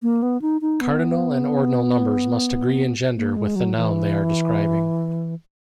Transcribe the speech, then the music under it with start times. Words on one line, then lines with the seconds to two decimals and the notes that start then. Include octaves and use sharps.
Cardinal and ordinal numbers must agree in gender with the noun they are describing.
0.03 A#3
0.22 B3
0.42 D#4
0.61 D#4
0.81 B3
3.17 A#3
3.36 G#3
3.56 F#3
3.76 E3